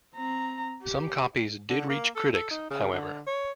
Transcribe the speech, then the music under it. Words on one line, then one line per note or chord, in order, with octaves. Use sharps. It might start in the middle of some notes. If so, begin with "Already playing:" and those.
Some copies did reach critics, however.
C4 A#5
G4
D3
A#3
A4
A4
D#4
C#3
D3
C#5